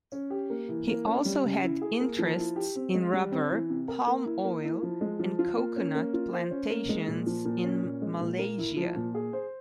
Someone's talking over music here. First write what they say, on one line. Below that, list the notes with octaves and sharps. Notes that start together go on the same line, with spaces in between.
He also had interests in rubber, palm oil and coconut plantations in Malaysia.
C#4
G4
A#3
E3
A#3
C#4
G3
C#3
E4
G#4
A#3
F3
E4
G4
C4
G#3
G3
C4
E3
C3
A#4
A#3
E4
A#3
E4
F3
G#3
F3
F4
A#3
C#4
A#3
F4
C5
C#4
A#3
G#3
A#2
F3
A#2
C#4
A#2
G#3
A#2
A#3
E4
F3
A#2
G#4
C5